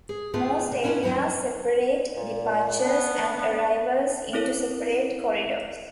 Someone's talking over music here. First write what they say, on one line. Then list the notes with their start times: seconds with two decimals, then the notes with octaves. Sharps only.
Most areas separate departures and arrivals into separate corridors.
0.09 G#4
0.33 D2 A3 B3 F4 G#4 A5
0.71 C3
0.84 C#4 D4 E4 F4 B4
1.03 E2 F#3 E4 F#5
2.17 A#2
2.82 B3 D4
4.33 C4 C#4 E4 A4 A#4 C#5